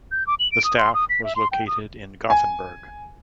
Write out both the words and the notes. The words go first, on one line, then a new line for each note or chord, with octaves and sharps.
The staff was located in Gothenburg.
G6
D6
F#7
D7
D#6
C6
D#6
B6
E5
C6
G5
D#6
G#5